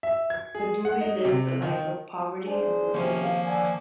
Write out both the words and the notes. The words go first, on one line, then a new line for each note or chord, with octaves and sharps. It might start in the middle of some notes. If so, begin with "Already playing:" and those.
Kaduri lived a life of poverty and simplicity.
E5
G#6
G#4
F#5
D#4
C3
D#3
D4 G#4 C5
C#2 C3 D#3 F3 A#3 C#4
F5
D3 G#5